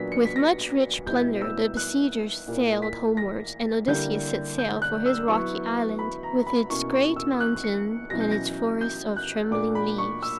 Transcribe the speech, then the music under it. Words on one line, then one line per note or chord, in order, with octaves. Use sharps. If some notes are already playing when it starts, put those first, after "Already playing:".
With much rich plunder the besiegers sailed homewards, and Odysseus set sail for his rocky island, with its great mountain, and its forests of trembling leaves.
Already playing: A#2 F#3 B3 D4 B6
C#7
B6
A#6
B2 G3 B3 E4 G6
E6
F#6
A#2 A#3 E4
B6
A#6
D3 G3 A#3 E4 G6
G6
F#6
E6
F#3 B3 E4 C#6
B5
A#5
B5
B2 A#3 C#4 E4 C#6
C#6
E6
F#6
C#7
B2 F#3 C#4 E4 A#6
G6
A#6
G6
F#6
A#2 A#3 D4 D6
B5
C#6
E6